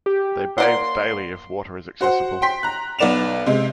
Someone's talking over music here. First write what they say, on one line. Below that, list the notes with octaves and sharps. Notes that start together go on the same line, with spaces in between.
They bathe daily if water is accessible.
G4
A#3 D5 F#5 C6
F#4 C5 F#5
G5 C6 B6
A#5 F#6
B1 B3 D5 E7 F7
C3 G#3